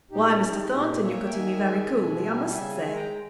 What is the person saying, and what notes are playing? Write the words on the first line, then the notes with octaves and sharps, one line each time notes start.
'Why, Mr. Thornton you're cutting me very coolly, I must say.
A#2 D#4 G4
C#4 E4
G#3
D#4 G4
E4
A#2 D#4 G4
A#3 C#5 E5
G5
D#3 E5 G#5
G#3
B2
G3
C#3 E5 G#5
E5 G#5
G#3
G5 A#5
G5